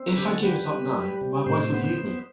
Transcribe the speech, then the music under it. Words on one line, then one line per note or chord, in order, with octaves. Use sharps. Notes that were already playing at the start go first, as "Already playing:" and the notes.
If I gave it up now, my wife would leave me.
Already playing: C4
B4
D3 G4
A4
G3 B4
G3
G3
C3
A2 C5
B3
B3